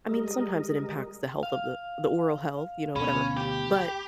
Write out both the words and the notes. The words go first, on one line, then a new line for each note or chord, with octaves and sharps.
I mean, sometimes it impacts the health of the the oral health, you know, whatever, but
G3 G#3 A#4 D#5
F5
D2 B2 C#4 B5
G4